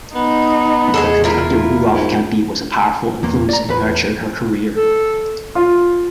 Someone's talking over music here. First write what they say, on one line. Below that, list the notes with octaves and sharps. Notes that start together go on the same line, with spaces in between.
The conductor Rudolf Kempe was a powerful influence and nurtured her career.
B3 D#4
E2 G#3 G#4 A4
E4 F4 A#4
G#2
E2 A#3
D5 A#5
E2 B4
A4
F4